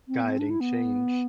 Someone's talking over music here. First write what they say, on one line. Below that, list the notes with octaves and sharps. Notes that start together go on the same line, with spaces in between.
guiding change,
C4
B3
C4
D4
E4
B3